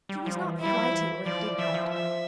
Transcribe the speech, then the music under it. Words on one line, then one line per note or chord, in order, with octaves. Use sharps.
She was not flighty or indignant.
G3
F3
E3
E4
G3
F3
E3
F3
F3 D5
F3 E5
E3
F3
E5